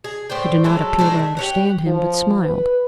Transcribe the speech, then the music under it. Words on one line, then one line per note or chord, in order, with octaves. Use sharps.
She did not appear to understand him, but smiled.
G#4
A2 C5 D5 G5
F#3 G#3 A3 A4
G#3 A3 D4 D#4
E5
G4 C#5 F#5
F3
B4